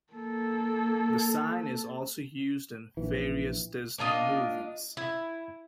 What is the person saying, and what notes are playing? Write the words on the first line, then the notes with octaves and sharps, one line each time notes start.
The sign is also used in various Disney movies.
A#3 A4
A#1 E3
A#3 D4 F4 D#5
E4